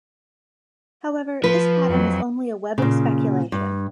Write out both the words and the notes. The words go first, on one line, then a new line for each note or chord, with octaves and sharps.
However, this pattern is only a web of speculation.
F3 B4
F2 F#3
A#2 C#3
G2